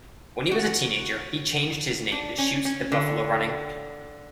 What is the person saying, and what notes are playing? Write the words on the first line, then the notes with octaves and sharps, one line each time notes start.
When he was a teenager, he changed his name to Shoots the Buffalo Running.
F#4
D4
C#4
C#4
D3